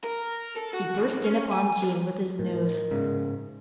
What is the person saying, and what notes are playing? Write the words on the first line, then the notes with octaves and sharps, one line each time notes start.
He burst in upon Jean with his news.
A#4
A4
F#4
B1
C#4
G#5
A#2
A2 D#3
G#2 C#3